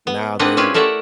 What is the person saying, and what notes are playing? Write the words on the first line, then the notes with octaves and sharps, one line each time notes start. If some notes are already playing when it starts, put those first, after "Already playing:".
now they've
B3
A#3 C4 D4 B4 D#5 F#5
C#4 E4 F4 G4 G#4 B4
A3 A#4 D5 E5 F#5